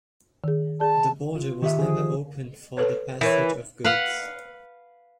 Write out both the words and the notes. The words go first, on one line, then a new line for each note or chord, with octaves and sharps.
The border was never opened for the passage of goods.
D#3 G#4
G#4 D5 A5
F4
D#3 G4 E5
F3 G#4
A4 B4 C#5
E3 A#4 C#5
B4 F5 F#5